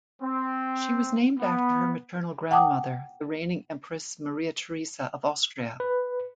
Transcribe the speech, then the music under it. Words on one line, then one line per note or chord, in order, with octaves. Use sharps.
She was named after her maternal grandmother, the reigning Empress Maria Theresa of Austria.
C4
B3
F#5 G5 A5 D6 D#6
B4